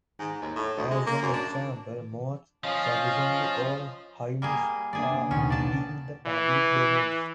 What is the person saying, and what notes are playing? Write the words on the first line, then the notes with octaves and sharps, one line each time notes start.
As an example, most sufficiently old hymns are in the public domain.
G#2
D#2
A2
D2
G#3
A#3
F#2
D4
F3 C#4 D#5 F5
G3 A#3 G#4
A#3 B3 D4 G#4 D5
C#3
A#1 D#2 B2 C#4
B3 D4 D5 A5
E3